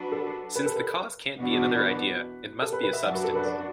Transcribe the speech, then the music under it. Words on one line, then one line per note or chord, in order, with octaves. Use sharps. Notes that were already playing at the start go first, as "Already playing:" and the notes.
Since the cause can't be another idea, it must be a substance.
Already playing: F#3 D4 F#4 B4
A4
B4
A4
B4
E2 B2 B3 D4 F#4
D5
B4
A4
B4
B4
E5
F#2 F#3 D4 F#4 F#5
B4
A4
B4
D5